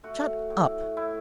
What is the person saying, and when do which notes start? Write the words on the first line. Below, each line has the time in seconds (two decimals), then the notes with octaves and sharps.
"Shut up!"
0.04 A3 F#4
0.50 A2
0.97 A2 E4